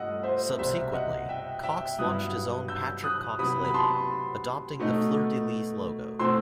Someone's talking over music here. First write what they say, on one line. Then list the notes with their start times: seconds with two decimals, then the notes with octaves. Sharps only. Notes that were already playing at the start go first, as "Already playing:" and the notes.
Subsequently, Cox launched his own Patrick Cox label, adopting the fleur-de-lys logo.
Already playing: G2 A3 D#5 F#5 D#6 E6
0.23 C5 E5
0.58 C2 B2 G3 C5 E5
0.93 D#5 F#5
1.29 E5 G5
1.64 E5 G5
1.99 G2 F#3 B3 E4 D#6 F#6
2.68 E6 G6
3.04 D#6 F#6
3.39 C3 F#3 B3 E4 B5 D#6
3.64 B5
3.74 A5 C6
4.79 B2 A3 D#4
6.19 B2 A3 C4 E4 C6 E6